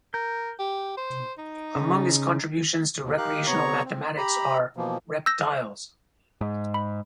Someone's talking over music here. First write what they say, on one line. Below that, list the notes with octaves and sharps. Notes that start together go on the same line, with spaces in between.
Among his contributions to recreational mathematics are "Rep-tiles".
A#4 G6
G4
C5
D#4
C#3
D#2 B2
D#4 G4 A#4 F5 F#6
C3 B3 C#5 A#5 C#6
C4
G4 A#5 B5
B2 E3 F3 A#3
E6 G6 A#6
G#2
B5